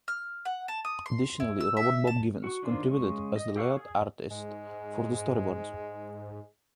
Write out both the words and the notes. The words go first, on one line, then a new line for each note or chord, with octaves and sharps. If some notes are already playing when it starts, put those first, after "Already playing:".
Additionally, Robert "Bob" Givens contributed as the layout artist for the storyboards.
F6
F#5
A5
D#6
C6
E4
E6
E5
A5
F#4 C#6
D#3 D4 F4 C5
C#3 G#3 C#6
D#5
G4 A4 F5 F#5 C#6
G#4
G#2 G#3